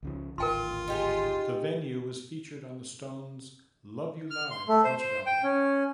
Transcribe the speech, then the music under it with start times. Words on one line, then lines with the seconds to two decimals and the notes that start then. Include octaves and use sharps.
The venue was featured on the Stones' "Love You Live" concert album.
0.03 C#2 C#3 F3
0.38 D1 G#1 F4 A#4 G5 C6
0.88 D#4 G4 G#4
4.31 F6
4.51 C6
4.68 A3
4.84 C5
4.99 C5
5.26 G5
5.43 C#4